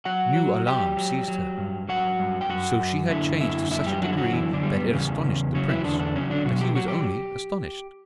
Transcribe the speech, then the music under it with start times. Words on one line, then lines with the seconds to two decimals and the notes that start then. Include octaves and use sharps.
New alarm seized her: so she had changed to such a degree that it astonished the prince, but he was only astonished.
0.05 F#3 F#4 F#5
0.36 F#3
0.67 F#3 G4 G5
0.97 F#3
1.28 F#3
1.58 G2
1.89 F#3 F#4 F#5
2.19 G2
2.41 G5
2.49 F#2 F#4 F#5
2.80 F#2
3.10 D3 E4 E5
3.41 F#2 E4 E5
3.71 F#2 E4 E5
3.86 G3 G4
4.02 D3 F#3 F#4
4.13 E4
4.17 F#3 F#4
4.32 F#2 E3 E4
4.53 D3 D4
4.63 G3
4.73 B3
4.93 E2 C#3 C#4
5.24 E2
5.54 C#3 F#3 C#4
5.69 E3 E4
5.84 E2 D3 D4
5.99 D3 D4
6.15 C#3 F#3 C#4
6.30 D3 D4
6.45 B2 F#3 F#4
6.61 G4
6.75 F#3 F#4
6.88 G4